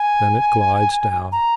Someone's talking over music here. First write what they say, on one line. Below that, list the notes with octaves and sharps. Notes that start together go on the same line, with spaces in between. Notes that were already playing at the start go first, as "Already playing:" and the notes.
Then it glides down.
Already playing: G#5
A#5